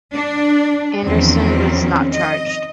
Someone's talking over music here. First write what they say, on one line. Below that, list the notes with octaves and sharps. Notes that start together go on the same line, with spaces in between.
Anderson was not charged.
D4
E2 D#3 F3 C4 C#4
D#5